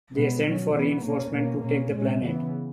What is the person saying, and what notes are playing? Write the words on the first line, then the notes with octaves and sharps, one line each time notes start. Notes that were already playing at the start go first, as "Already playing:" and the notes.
They send for reinforcements to take the planet.
B2 G#3 B3
B2 F#3 C#4
E3 B3
B2 A#3 C#4
B2 A#3 C#4
B2 A#3 C#4
A#2 G#3 C#4
C#3 E3 B3